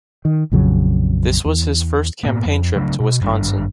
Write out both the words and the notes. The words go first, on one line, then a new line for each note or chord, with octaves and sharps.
This was his first campaign trip to Wisconsin.
D#3
A#1 F2 C#3 F#3
E2
A2 A#3 B3
F2
C#3 F#3 A3 D4
B2
G#1 G2 D4